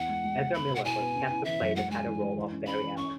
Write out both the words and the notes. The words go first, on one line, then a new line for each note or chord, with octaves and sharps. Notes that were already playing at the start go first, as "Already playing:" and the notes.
Ezra Miller was cast to play the title role of Barry Allen.
Already playing: E2 F#5
G#3
G#3
G#3
B3 B5
B2
F#5
E4 G#5
B3
C#4
E4
E3 E5
F#2
G#3 F#5
G#3 G#5
E3
G#3
E3
C#4
C#4 B5
E3
C#4 C#6